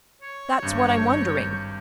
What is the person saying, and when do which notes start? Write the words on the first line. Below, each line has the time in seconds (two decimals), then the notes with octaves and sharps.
That's what I'm wondering.
0.21 C#5
0.63 G#1 G2 G6